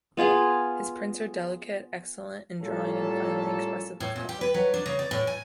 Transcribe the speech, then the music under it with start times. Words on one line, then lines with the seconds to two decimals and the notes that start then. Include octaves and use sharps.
His prints are delicate, excellent in drawing and finely expressive of colour.
0.17 B3 F4 G#4 F5
2.62 A2 G3 A#3 C#4 F4 A4
4.00 A2
4.16 A#2
4.29 G4
4.41 B4
4.54 F#3
4.74 D4
4.86 C#3
4.99 D5
5.11 A2
5.27 G#5